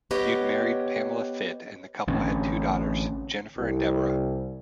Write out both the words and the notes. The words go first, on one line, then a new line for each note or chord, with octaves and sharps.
Youde married Pamela Fitt and the couple had two daughters, Jennifer and Deborah.
B3 G4 C#5 D#5
A1 D3 C4 C#4
C2